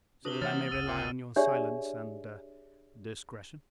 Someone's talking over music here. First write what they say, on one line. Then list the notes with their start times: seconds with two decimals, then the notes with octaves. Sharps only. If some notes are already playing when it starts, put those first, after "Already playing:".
"So that I may rely on your silence and--er--discretion?"
0.25 C3 D4 F#4 B4 D#6 F#7 G7
0.42 E3 F#3 A#3 C#5 F#5 F6 A6
0.71 F#1 C#2 E6 D#7
0.85 A#2
1.36 D4 G4 G#4 C#5 D5 E5